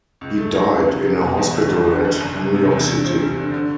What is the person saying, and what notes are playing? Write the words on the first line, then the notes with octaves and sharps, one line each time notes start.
He died in a hospital at New York City.
C#2
A3
F#3
C#3
F#1
F#3
B2
E2
G1
G3
D3
F#2
F#1
F#1
C3
E2
G2
C4
G3
D3
D3